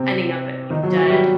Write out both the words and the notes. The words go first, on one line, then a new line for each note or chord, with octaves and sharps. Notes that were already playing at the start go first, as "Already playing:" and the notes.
ending up at, like, a dud.
Already playing: C3 C4
D#3 D#4
F#3 F#4
F#3 F#4
G3 G4